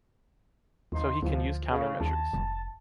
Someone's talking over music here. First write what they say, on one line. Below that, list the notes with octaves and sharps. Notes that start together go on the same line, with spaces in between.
So he can use counter measures.
D#2 F3 D#4 C6
D2 F3
C#3
D#2 A5
F1